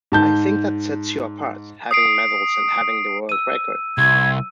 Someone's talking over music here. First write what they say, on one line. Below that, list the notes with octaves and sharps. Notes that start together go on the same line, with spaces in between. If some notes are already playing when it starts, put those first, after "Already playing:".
I think that sets you apart, having medals and having the World record.
G#2 A5 G6
D#6 C7 D7
E6 D#7
C2 G#6